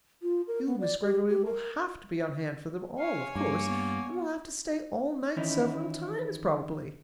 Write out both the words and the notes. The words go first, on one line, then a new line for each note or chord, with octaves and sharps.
You, Miss Greggory, will have to be on hand for them all, of course, and will have to stay all night several times, probably.
F4
A#4
B3
D5
G4
G4
A#4
C#5 F5 G#5
G2 A#3
B3
D#3 E3 C#4 D#4 E4